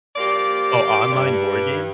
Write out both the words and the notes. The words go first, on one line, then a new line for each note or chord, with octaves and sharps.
Oh, online board games?
F3 A#3 G4 D5
G2